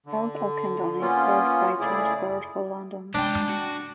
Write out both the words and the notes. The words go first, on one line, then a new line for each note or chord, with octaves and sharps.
South Ockendon is served by Transport for London.
D3
A#3 B3 C#4 F4
A2 C#3 E4 G#4 D5
G#3 D4 G5
F#4